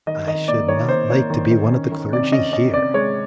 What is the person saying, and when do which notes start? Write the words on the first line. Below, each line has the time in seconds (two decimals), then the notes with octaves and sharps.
I should not like to be one of the clergy here.
0.07 D#3 D#5
0.27 D#3 D#5
0.48 A#3 D5
0.68 D#3 C#5
0.89 A#3 C5
1.10 A#3 C#5
1.30 D#3
1.51 D#3
1.72 C#4
1.92 D#3
2.12 C3 D5
2.32 C#4 D#5
2.53 C#4 D#5
2.74 C3 D5
2.94 G#3 C#5